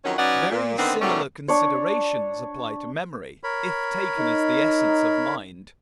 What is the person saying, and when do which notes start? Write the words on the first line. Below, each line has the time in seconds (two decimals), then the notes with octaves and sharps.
Very similar considerations apply to memory, if taken as the essence of mind.
0.04 F2 D#3 F#3 C#4
0.17 F#3 C#4 D#4 B4 D5 F#5
0.51 A#2
0.78 D3 D#3 B3 C4
1.01 B2 D#3 F#3 G3 A3 C#4
1.48 D4 C#5
3.44 A#4 C#5 B5
4.18 D#4